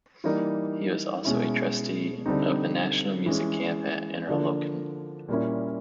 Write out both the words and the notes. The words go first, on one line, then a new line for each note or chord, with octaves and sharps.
He was also a trustee of the National Music Camp at Interlochen.
E3 G3 A#3 D#4
B2 G#3 C#4 E4
D3 G3 C4 D#4
E3 G#3 C#4
D3 F3 A#3 D4
A#2 G3 A#3 C#4 E4